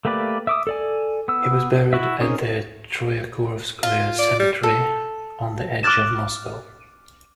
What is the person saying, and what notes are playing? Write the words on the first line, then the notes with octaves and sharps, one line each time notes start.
He was buried at the Troyekurovskoye Cemetery on the edge of Moscow.
A3 A#3 G4 B4 D5
E5 D6 D#6
A4 D5 G#5
B3 E6
E4 F#4 E5
C4 C#4 D#4 G#4 A#4
F4
D5
G3
A4
D6 F6 F#6 A6 E7